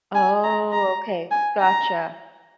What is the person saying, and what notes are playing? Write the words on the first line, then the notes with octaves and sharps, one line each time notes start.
Oh, okay. Gotcha.
G#5
A#5
A#5
G#5
A#5